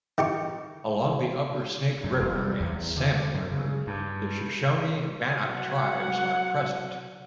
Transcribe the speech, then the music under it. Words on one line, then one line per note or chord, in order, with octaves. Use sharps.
Along the upper Snake River and Salmon River, the Shoshone Bannock tribes are present.
D#3 G4 C#6
F#2
E1
G3
E2
D3
F#2
C#3
G2
F#3 F#5